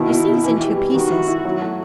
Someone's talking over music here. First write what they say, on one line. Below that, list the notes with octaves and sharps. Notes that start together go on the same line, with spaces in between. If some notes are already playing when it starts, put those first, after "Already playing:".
"You see he's in two pieces?"
Already playing: B2 D#3 E4
B2
B2
E3
G4
G3
D#3 F#4
E4
E4
F#3
A3